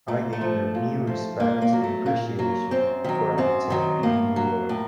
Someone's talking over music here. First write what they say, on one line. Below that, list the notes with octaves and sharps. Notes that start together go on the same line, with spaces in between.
I gained a new respect and appreciation for acting in New York.
A#2 A3
A3
F3
A#2
F3
A#2 A#3
A#3
F#3
A3
A#2 A#3
F#3
F#2 C4
D#3 F#3
F#2 C4
D#3 F#3
A2 A#3
F#3
A2